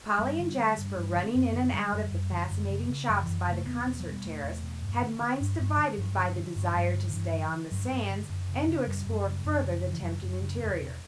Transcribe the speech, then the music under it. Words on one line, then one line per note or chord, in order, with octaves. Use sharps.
Polly and Jasper, running in and out of the fascinating shops by the Concert terrace, had minds divided by the desire to stay on the sands, and to explore further the tempting interiors.
G2 G3
D3
D3
G2
G2
D3
C#4
F#2 B3
D3
D3 G3
F#2
F#2
D3
F#2
C#3
C#3
F#2 F#3
F#2 E3
C#3 A3
E2 B3
B2
F#3
B2
G3
E2 A3
E2
B2
G2
D3
D3
G2
G2
D3
G2 F#3
D3
D3
G2
G2
D3
D3
G2 E3
D3
D3
G2 F#3
G2
D3
F#2
C#3
C#3
F#2 G3
F#2
C#3
F#2
C#3
C#3
E3
F#2 F#3
F#2
C#3
E2
B2